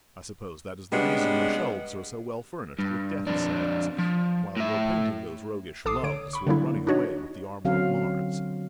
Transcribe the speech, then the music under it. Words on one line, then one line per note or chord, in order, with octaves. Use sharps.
I suppose that is the reason your shelves are so well furnished with death's-heads, while you are painting those roguish Loves who are running away with the armour of Mars.
C3 G3 G#3 B3 C#4 D4
G2
F2 D4
F3
A2 E5
A#1 A4 A5 D6 D#6 C7
D3 C#5 D7
B5 C#6
D3 F#3 G3 A#3 D4 E4
D4 D#4 F#4 C#5 D#5
D3 F#3 C4 C#4 F#4 F5